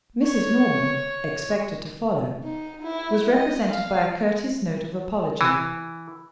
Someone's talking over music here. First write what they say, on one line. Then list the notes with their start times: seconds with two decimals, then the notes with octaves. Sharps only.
Mrs. Norman, expected to follow, was represented by a courteous note of apology.
0.25 C#5
2.43 D#4
2.82 E4
3.32 D#5
3.71 F5
5.41 E3